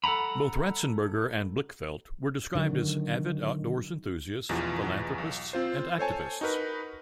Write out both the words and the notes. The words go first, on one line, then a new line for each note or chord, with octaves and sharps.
Both Ratzenberger and Blichfeldt were described as "avid outdoors enthusiasts, philanthropists, and activists".
A4 F#5 G5 A#5 B5
D3 D#3 F#3
A1 E2 B2 E3 F3
B1
C4 F4 C5
A4 C5 C#5 G#5 A5
D#4 F#4 A#4 B4